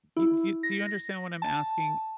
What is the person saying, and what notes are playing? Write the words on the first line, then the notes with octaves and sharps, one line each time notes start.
You do you do you understand what I'm asking?
E4
A#6
A5